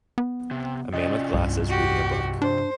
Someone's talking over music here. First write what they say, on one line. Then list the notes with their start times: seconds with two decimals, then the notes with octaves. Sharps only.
A man with glasses reading a book.
0.18 B3
0.51 C3
0.93 C3 C#4 F4 D5 D#5
1.34 C2 G2
1.70 F#4 G4
2.42 D4 C5